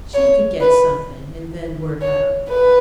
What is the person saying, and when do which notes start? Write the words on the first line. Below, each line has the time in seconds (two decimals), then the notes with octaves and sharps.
She could get something and then work up.
0.14 C#5
0.60 B4
2.01 C#5
2.48 B4